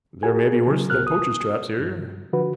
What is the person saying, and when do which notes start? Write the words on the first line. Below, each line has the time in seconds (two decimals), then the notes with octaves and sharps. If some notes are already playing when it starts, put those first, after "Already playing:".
"There may be worse than poachers' traps here."
0.23 F#4 G#4 A#4 G#5
0.67 C#3 F#3
0.90 C2 B2 F#4 A#4 F6 F#6
1.07 D#6
1.79 G2
2.33 D3 F3 F#4 B4